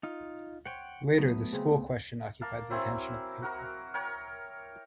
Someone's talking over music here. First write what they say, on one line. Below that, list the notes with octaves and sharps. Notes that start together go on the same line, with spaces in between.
Later the school question occupied the attention of the people.
D#4 F4
C5 C#5 F#5 G5
F#3 A3 B3
C#3 C4
A#3 A#4 F5 A5
F#3 C4 E4 G#5
F#4 A#4
A#4 C#5 G5